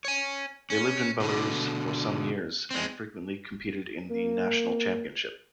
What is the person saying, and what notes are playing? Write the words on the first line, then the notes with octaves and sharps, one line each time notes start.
They lived in Belarus for some years and frequently competed in the national championship.
C#5 G#5
C#4
B2 D3
G#3 C4
A#3